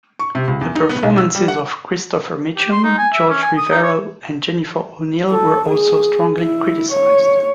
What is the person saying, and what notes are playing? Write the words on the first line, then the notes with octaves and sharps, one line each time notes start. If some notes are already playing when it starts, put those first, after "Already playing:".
The performances of Christopher Mitchum, Jorge Rivero and Jennifer O'Neill were also strongly criticized.
C#6
C3
C#2
E2
D#4
B3
B1
E6
G3
F#5
G4
C6
D#4
G#5
E5
C#4
G#5
D#6
D#4
C#5
A4
G#4
E4
C#5